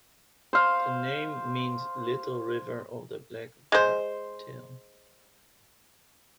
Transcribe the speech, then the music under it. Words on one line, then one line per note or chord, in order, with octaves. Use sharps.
The name means "little river of the black bear tail".
C5 F5
G#3 C5